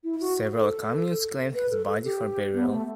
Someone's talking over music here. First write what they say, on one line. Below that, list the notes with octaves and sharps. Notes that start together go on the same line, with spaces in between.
Several communes claimed his body for burial.
E4
F#4
A4
B4
A4
A4
G4
B3
A3